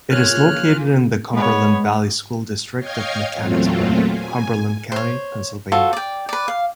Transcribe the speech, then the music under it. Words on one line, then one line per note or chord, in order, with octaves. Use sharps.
It is located in the Cumberland Valley School District of Mechanicsburg, Cumberland County, Pennsylvania.
A#3 F4 G#4 C#5 F6 F#6
G#3 B3 C#5
C#5 D#5 F5 G5 F6 G#6
E2 A#2 F#3 A3 C4 F4
G#5
C5 C#5
F4 F#4 A4 C5
D5 G5
B4 D5
F5